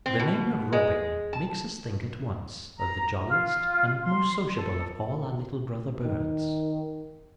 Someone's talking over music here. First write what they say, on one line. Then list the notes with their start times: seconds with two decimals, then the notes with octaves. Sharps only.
The name of Robin makes us think at once of the jolliest and most sociable of all our little brother birds.
0.06 C4
0.19 B2
0.72 G#3
1.33 A5
2.77 A#5
3.27 F4
4.01 C6
4.54 A4
6.04 D#3